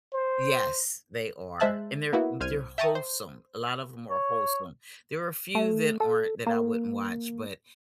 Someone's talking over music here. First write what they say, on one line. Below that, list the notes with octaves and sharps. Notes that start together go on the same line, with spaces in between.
Yes, they are. And they're they're wholesome, a lot of 'em are wholesome, there are a few that aren't that I wouldn't watch, but
C5
G#3 C5 E5 A5 F#6
A#3 B3 E4 F#4
C2 C5 F6 G#6 D#7
E5 G5 A5 A#5 C#6 D#6
C5
C#5
A3
A4
A#3